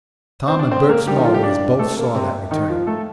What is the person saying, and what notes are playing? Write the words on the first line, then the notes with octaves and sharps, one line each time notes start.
Tom and Bert Smallways both saw that return.
C4 C5
D4 D5
C4 C5
A#3 A#4
G3 G4
D#3 D#4
F3 F4
G3 G4
D4 D5
A3 A4
A#3
C3 C4
D#3 D#4
F3 F4
A3 A4